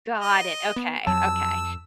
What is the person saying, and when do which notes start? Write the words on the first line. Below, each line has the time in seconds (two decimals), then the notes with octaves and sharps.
Got it. Okay, okay.
0.19 D#5
0.76 B3
1.07 F2 F#3 A5 E6